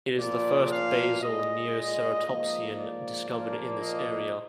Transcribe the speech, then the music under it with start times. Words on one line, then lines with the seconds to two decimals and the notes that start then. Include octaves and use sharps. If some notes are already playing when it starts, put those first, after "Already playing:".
It is the first basal neoceratopsian discovered in this area.
0.18 A#2 F3 A#3 D5
0.70 F5
1.21 A#2 G#3 D#5
2.24 G#2 F3 A#3
2.77 D5
3.29 A#2 F3 A#3
3.80 D#5